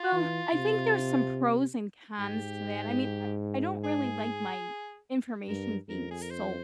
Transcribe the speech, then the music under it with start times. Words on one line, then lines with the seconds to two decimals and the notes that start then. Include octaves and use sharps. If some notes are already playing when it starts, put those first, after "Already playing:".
Well, I think there's some pros and cons to that, I mean, I I don't really like my information being sold.
Already playing: F4
0.12 E3
0.53 C3
2.19 G#2 G4
3.84 G#4
5.48 G2 A#4
5.89 F2 A#4
6.11 G#4
6.21 A#4
6.31 C5